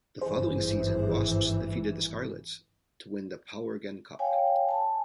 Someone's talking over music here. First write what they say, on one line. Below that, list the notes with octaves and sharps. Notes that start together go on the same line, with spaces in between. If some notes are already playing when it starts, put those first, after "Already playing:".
The following season Wasps defeated the Scarlets to win the Powergen Cup.
G#1 G2 E3 G#4 C5
C#5 F5 G5 G#5
G#5 A5